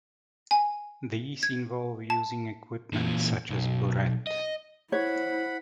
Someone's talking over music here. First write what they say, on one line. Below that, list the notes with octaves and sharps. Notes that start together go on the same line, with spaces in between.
These involve using equipment such as a burette.
G#5
G#6
A5
A#2 E3
B1
D#5
E4 C5 C#5 F#5 B5